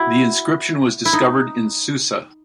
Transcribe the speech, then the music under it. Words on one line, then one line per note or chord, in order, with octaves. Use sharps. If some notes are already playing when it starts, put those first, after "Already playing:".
The inscription was discovered in Susa.
Already playing: E4 F#4
E4
D#4